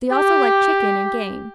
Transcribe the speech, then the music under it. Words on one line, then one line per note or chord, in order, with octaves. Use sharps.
They also like chicken and game.
G4